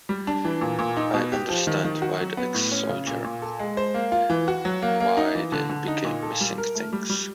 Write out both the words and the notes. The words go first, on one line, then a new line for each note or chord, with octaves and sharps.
I understand why the ex-soldier, why they became missing things.
G3
D4
E3
A#2
A#2
D#4
B2
G4
F3
D#3
D#3
F#4
F#3
B3
A2
C#4
C#3
A#2
A#2
A4
G#3
C5
A#3
F4
E3
F#4
F#3
A#3
A#3
D#4
E3
D3
D3
D#4
A#2
A4
G3
A#4
A3
G3
G3